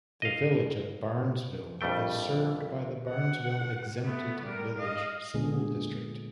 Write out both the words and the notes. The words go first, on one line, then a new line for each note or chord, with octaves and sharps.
The village of Barnesville is served by the Barnesville Exempted Village School District.
D#5 F5
A#1 F2 G3 A3 G5
F#5
A3 B3
G3 A#4
D#5 F5
A#2 D3 G#3 B3 G#4